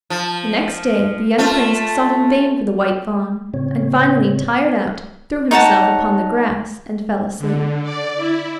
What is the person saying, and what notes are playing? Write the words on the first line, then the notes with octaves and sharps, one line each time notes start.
The next day the young Prince sought in vain for the White Fawn, and finally tired out threw himself upon the grass and fell asleep.
F3
A3 F4
A2 C#3 C4 C#5
D#4 C#5 F#5 A5
D3
D5
E4